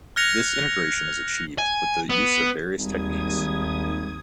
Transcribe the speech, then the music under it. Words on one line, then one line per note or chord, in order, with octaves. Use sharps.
This integration is achieved with the use of various techniques.
F6 F#6 G#6 A#6 C#7 F7
G#5
B3
G#1 D#2 G3 D#6 G#6